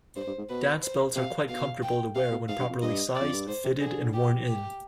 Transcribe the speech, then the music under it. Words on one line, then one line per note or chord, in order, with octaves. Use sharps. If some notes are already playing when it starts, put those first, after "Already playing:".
Dance belts are quite comfortable to wear when properly sized, fitted and worn-in.
G2 C5
G2
G#2
B2 B4
C5
C3 F5
B2 F5
G5
C3 F5
B2
G#2 F5
G2
F2
G2 D#5
D5
F2
G2
G#2 C5
C3
D3 G#4
G4
G4